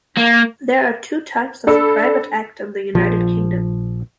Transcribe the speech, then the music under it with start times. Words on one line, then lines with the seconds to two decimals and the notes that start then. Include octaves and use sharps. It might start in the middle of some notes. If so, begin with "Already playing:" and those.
There are two types of private Act in the United Kingdom.
0.17 A#3
1.67 D4 A4 B5 E6
2.95 A#1 F3